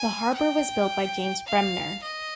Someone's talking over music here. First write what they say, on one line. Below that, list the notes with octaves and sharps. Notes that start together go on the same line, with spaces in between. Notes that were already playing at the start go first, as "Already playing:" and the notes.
The harbour was built by James Bremner.
Already playing: G#5
G5
F5
D#5